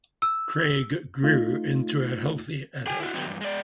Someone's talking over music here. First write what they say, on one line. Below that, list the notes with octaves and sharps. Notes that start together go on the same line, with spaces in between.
Craig grew into a healthy adult.
E6
A3 D#4 F4
G#4 G5 G#5
E4 F#4
D3 D#3 F#3 B3 D#4 G4
E2 G2
G#3 D5